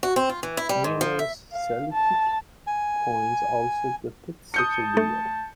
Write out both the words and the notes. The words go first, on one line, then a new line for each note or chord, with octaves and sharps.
Numerous Celtic coins also depict such a wheel.
F#4
C4
F4
E3
E4
G3
G#2
F3
E5
F5
A5
G#5
A5 D#6 G6 C#7
A3